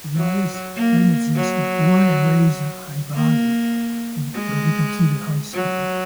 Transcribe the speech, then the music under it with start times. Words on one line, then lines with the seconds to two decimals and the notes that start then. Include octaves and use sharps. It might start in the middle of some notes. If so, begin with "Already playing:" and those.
Elias Venezis was born and raised in Ayvali, where he completed high school.
0.17 F#3
0.76 A#3
1.37 F#3
3.15 A#3
4.35 G#3
5.54 F#3